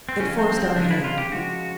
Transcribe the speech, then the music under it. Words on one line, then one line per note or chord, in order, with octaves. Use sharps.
It forced our hand.
C4
C#3 F3 G#3 C#4
C4
C4
C#3 F3 G#3 D4
E4
F4
G4
C#3 F3 G#3 F#4